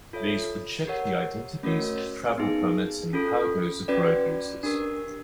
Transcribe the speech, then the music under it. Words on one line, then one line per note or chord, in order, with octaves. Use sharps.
These would check the identities, travel permits and cargoes of road users.
F4 A4 C#5 E5
G4 A#4 C#5 F#5
A3 C#4 F#4 A#4 C#5
B3 D#4 G#4
C#4 F4 A4
C#4 F#4 B4 D5 G5
D4 G4 A#4